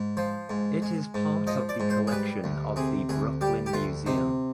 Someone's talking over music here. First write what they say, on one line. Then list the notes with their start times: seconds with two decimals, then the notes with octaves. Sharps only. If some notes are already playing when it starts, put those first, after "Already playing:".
It is part of the collection of the Brooklyn Museum.
Already playing: G#2
0.17 F3 C5
0.50 G#2
0.82 G#3
1.14 G#2
1.47 F3 D#5
1.69 D5
1.80 G#2
1.90 C5
2.07 G#4
2.12 G3 B4
2.44 D2
2.76 C3 G#4
3.09 D2 G#4
3.41 G3 G4
3.66 G4
3.74 D2 F4
4.06 C3 D#4